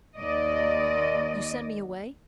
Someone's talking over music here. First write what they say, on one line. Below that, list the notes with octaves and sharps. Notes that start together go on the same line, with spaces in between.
"You send me away?"
D#2 D5 D#5